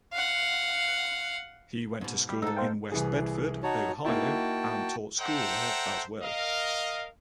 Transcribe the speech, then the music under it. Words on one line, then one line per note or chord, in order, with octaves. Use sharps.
He went to school in West Bedford, Ohio and taught school there as well.
F5 F#5
G#2 B2
G3
G#2 D#4 A4 A#5 E6
C5 F5 G5
C2 E3 G#4
D#4 F#4 C#5 A5
A#3 D#4 E4 F#4 G5 A5
A4 C5 E5 F#5 G5 A#5
A#4 D#5 F5